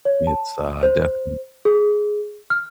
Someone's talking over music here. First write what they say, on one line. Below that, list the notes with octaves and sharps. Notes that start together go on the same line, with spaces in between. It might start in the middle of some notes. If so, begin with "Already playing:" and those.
it's, uh, definite
C#5
A5
C5
G#4
F6